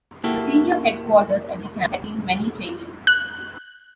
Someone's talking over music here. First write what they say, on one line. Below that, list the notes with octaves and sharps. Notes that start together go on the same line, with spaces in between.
The senior headquarters at the camp has seen many changes.
A#3 E4 F#4 G4 A4
F#6